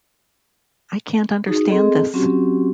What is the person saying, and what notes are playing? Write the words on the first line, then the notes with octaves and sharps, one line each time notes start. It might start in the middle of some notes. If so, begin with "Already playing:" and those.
I can't understand this!
D#4 F#4 G#4
C4 G#4 A4 D#5
F#3 C4 C#4 F#4 G4